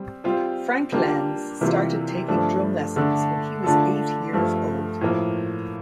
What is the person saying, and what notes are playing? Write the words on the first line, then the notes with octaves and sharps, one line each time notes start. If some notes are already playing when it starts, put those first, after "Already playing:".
Frank Lenz started taking drum lessons when he was eight years old.
Already playing: G3 C4
G3 C4 F4 C5
G3 A#3 D4 F4
C3 E3 G3 A#3 F4
G2 F3 A3 D4
D3 A3 D4
D3 A3 D4 F4 A4
G2 F3 A3
A2 F3 A#3